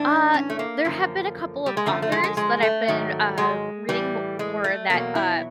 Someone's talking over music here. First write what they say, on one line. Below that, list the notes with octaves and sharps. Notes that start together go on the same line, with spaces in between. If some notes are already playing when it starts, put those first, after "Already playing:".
Uh, there have been a couple of authors that I've been, uh, reading mo more that, uh,
Already playing: A2 E3 D4
C#4
A3
A#3
F#2 D3 F3
G3
G#3
F#2 D3 F3 A3
A3
G#3
G#3
G#3
A3
G#2 D#3 F#3
G#3
A2 E3 G3
G#3
A3
E2 B2 F#3 A#3
E4